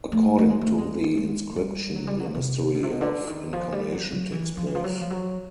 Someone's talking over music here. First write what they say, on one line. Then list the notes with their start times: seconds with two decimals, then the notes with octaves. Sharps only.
According to the inscription, the mystery of incarnation takes place.
0.12 A3
0.39 A3
0.50 G#3
0.61 A3
0.78 G#3
1.17 G#3
1.56 G3
1.95 F#3
2.07 G3
2.19 F#3
2.31 B2
2.35 C3
2.75 B2
2.83 C3
2.90 B2
3.01 D3
3.27 D#3
3.53 F3
3.72 G3
3.92 F#3
4.12 F#3
4.32 E3
4.57 F3
4.66 E3
4.75 F3
4.84 F#3
5.01 F3
5.10 F#3